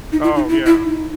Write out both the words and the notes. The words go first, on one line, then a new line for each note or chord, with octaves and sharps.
Oh, yeah.
D#4
E4
D#4
E4
E4
D#4